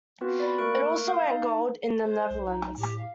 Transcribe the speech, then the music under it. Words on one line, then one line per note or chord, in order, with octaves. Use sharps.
It also went gold in The Netherlands.
B3 C4 F4 F#4 B4
D5 B5
A3 A#3 A#4 C#6 F#6 D7
F5 D#6 G6
D#4
C5
B1
D#4
A2 G4
F5